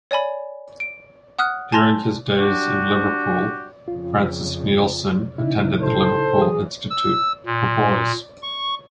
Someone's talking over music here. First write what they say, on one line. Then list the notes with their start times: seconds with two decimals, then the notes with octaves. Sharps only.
During his days in Liverpool, Francis Neilson attended the Liverpool Institute for Boys.
0.11 C#5 D5 G#5 B5
0.80 D7
1.39 F#5 D#6 F6 F#6
1.72 G#5 A5 C6 A#6 F7
2.37 G3 D4 F#4 G4
3.88 F2 C#3 F4
5.38 A#1 C#3 D#4 E4
5.80 A4 C5
6.38 E3 F#3 G#4 D#6
6.90 E6
7.46 A#2
8.42 C#6